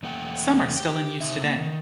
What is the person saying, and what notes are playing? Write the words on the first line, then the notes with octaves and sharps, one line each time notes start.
Some are still in use today.
E2 A3 A#3 F#5 G5
G4 G5
C3 G3 D#4 E5
A#3
D#3